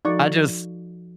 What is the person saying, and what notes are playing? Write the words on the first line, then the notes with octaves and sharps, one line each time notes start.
I just,
F3 D#4 F#4 A4 D5 C#6